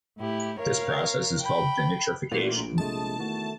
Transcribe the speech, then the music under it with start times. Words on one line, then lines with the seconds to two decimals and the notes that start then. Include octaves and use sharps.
This process is called denitrification.
0.18 A2 E4 G4
0.58 A#4 C#5 F5
1.42 G5 B5
2.31 A#2 E3 A3 F#4
2.56 A#1 D7
2.78 C3 G#3 A3 A5 D#6
3.19 E2 D#3 A3 F#4